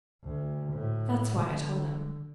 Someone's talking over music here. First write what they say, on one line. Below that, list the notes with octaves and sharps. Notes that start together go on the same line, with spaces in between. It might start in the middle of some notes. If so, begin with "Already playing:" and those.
That is why I told him...
D2
A2
D3